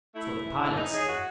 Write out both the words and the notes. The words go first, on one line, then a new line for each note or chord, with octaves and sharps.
That's what the pilot said.
A3 E4
A3
E3
G#2
E3 D#4
A2 G#4
F#4